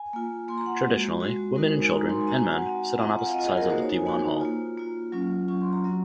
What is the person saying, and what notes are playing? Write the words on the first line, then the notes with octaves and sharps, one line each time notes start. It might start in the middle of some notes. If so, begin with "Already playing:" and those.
Traditionally, women and children, and men sit on opposite sides of the diwan hall.
Already playing: G#5
A#3 F4
A#3 F4 C6
A#5
F#5
G#3 C4 F#4
F#4
G#3 C4 F#4
G#3 D#4 F#4 A#4
C5
G#5
G#3 D#4 F#4 A#5
C6
G#5
C4 F#4 A#5
G#5
F#5
C4 F#4
C4 F4 A#5
G#5
F#5
F5
C4 F4 D#5
G#4
A#4
A#3 D#4 F#4 C5
C#5
G#5
A#3 D#4 F#4
A#3 F4
A#3 F4
F#3 C#4 F4
F#3 C#4 F4 C#6
C6
A#5
F#3 C4 F#4